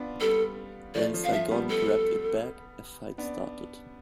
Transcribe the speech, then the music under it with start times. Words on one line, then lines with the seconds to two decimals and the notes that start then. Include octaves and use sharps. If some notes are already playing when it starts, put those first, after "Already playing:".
When Saigon grabbed it back, a fight started.
Already playing: B3 D4 F4
0.20 G3 B3 A4
0.95 F3 A3 D5
1.14 F3
1.24 F5
1.32 F3 E5
1.51 G3 B3
1.70 A4
3.18 B3 D4